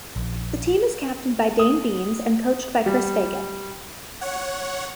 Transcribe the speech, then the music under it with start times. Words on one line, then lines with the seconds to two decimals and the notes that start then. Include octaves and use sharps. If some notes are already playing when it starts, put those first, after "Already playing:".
The team is captained by Dayne Beams and coached by Chris Fagan.
0.16 A#1
1.59 D#6
2.86 G3
4.21 C#5 F#5